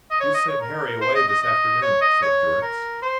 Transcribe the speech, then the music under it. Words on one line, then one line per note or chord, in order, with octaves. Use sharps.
"You sent Harry away this afternoon," said Durrance.
D#5
C#5
D#5
C#5
A#4
C5
D#5
D#5
D#5
C#5
D#5
C#5
A#4
C5